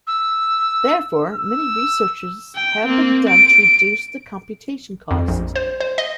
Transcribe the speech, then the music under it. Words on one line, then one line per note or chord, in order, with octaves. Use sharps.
Therefore, many researches have been done to reduce the computation cost.
E6
E6
G5
A#3 C4
D7
F2
A#1
C5
C5
D#5